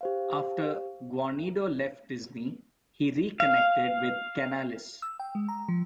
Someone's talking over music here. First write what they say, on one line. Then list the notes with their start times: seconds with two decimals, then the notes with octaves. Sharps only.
After Guarnido left Disney, he reconnected with Canales.
0.01 G4 C5 F5
3.40 F5
5.02 E6
5.20 G5
5.35 G#3
5.49 A#5
5.68 F3